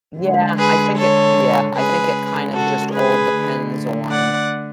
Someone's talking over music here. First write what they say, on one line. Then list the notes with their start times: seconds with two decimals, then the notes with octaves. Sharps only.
Yeah, I think it yeah, I think it kind of just all depends on,
0.19 D3 G#3
0.58 G#4 B4
0.97 A4 C#5
1.76 C#3 G#3 G#4 B4
2.54 F#4 A4
2.93 G#4 B4
3.33 D3 A3
4.11 D5 F#5